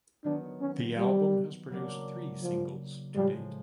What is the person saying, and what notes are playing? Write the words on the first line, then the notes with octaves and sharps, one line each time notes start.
The album has produced three singles to date.
D#3 F#3 B3 D4
C#4
G3
C#3 F#3 A#3 D4
F3
A2 F3 G3 G#3